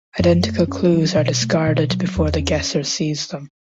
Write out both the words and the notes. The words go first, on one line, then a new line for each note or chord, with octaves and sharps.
Identical clues are discarded before the guesser sees them.
F#2
A3
C#4
F#3
B2
A3
B2
F#3
E2
C#4